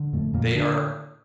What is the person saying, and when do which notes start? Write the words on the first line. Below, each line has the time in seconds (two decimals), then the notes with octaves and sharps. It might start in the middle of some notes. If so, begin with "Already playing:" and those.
They are
Already playing: D3
0.13 F2 A2 A3
0.34 F2 A#2 A#3
0.55 D3 D4